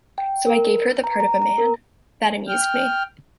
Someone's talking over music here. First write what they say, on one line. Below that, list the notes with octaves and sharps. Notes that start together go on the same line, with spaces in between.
So I gave her the part of a man - that amused me.
G5
A#4
B4
A#5
A#5
A#5
A#4
G5 F6